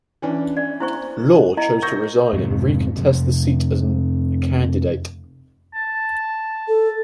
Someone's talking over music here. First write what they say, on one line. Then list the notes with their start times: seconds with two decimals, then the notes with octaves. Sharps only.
Law chose to resign and recontest the seat as an candidate.
0.22 E3 C#4 D4
0.57 D5
0.80 E4 C5 C#6
1.57 E4 D#5 A#5
1.82 A#4 C#6 G6 A#6
2.33 F2 G#2 C3
2.97 F2 C3
5.74 A5
6.68 A4